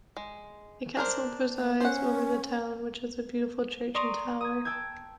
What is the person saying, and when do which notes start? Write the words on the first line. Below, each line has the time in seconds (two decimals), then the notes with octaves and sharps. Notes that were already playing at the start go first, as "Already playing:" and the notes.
A castle presides over the town, which has a beautiful church and a tower.
0.17 G#3
0.97 D4 A#4 C5
1.57 A#3
1.80 C#4 C5 F#5
3.94 D5 A#5 C6 C#6 D#6
4.41 D#6 G#6
4.65 G5 A5 E6 G6 G#6